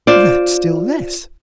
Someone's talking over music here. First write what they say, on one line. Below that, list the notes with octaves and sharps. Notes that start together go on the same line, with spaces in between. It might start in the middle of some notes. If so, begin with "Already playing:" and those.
"That still less."
F4 C5 D5